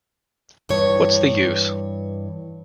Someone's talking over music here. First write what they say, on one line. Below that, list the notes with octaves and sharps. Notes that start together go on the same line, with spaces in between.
What's the Use?
G2 E3 C#5